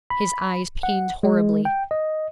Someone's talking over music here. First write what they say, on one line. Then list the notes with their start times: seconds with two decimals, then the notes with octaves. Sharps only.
His eyes pained horribly.
0.10 B5
0.83 F#5
1.23 G#3
1.65 G5
1.91 D#5